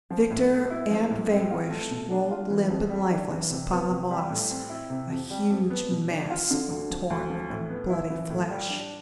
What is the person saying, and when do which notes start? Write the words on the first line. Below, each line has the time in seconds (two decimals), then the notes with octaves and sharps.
Victor and vanquished rolled limp and lifeless upon the moss, a huge mass of torn and bloody flesh.
0.10 F3
0.30 A2
0.51 B3
0.70 E4
0.91 F3
1.10 A2
1.31 C4
1.51 F4
1.70 A3
1.90 B2
2.11 D4
2.31 F4
2.50 E3
2.70 F2
2.90 G3
3.10 D4
3.31 E3
3.50 C3
3.70 B3
3.90 C3
4.10 G3
4.30 A2
4.50 C4
4.70 E4
4.90 C3
5.10 F2
5.30 G3
5.50 F2
5.70 B3
5.90 B2
6.10 D4
6.30 F4
6.51 D3
6.70 D2
6.90 F3
7.10 D2
7.30 F3
7.50 A2
7.70 B3
7.90 E4
8.10 E3
8.30 A2
8.50 G3
8.70 D4